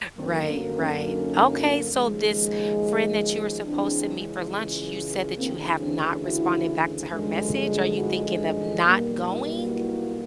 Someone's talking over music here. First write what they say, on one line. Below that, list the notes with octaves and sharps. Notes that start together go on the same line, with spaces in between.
Right, right, okay, so this friend that you were supposed to meet for lunch, you said that you have not responded back to her message, are you thinking of not going?
F#2 D3 F#3 A#3 C4 D4
B3 C#4
B3 C#4
C#4 D#4
D#2 C#3 F3 G#3
C#2 C#3 E3 G#3 C4 D4
D2 C#3 E3 A#3 C4
C4 D4
E4 F#4
G1 F#2 D3 F3 G#3
E4 F#4
B1 B2 G3 A#3
D#4 F4
E4 F#4